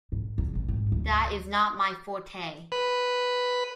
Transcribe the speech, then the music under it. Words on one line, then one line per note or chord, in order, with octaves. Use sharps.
That is not my forte.
G#2
E2
A1
G#2
D2
B4